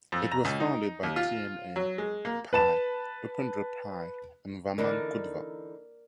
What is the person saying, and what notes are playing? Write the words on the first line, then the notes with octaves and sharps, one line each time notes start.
It was founded by T M A Pai, Upendra Pai and Vaman Kudva.
F2
A#5
C#2
D#4
D#2
F4
F#3
G#3
A#3
B4 A5 E7
D3 E3 D#4 A#4 D5